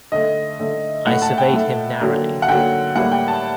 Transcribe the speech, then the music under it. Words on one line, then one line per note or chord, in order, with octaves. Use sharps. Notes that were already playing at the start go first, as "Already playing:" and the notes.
I surveyed him narrowly.
D3 A3 D#5
D3 A3
A2 A3 F#5
A5
G5
A2 A3
D3 F#3 A#3
F#5
D3 F#3 A#3 G5
A2 G3 A#3 F#5
G5
A5